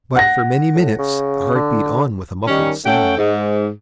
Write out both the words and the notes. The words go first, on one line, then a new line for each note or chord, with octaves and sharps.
But, for many minutes, the heart beat on with a muffled sound.
F#5 A#6
A2
C#3
D3
D#3 G3 C#4
A3 C#4 A4 F#5 G5
G#2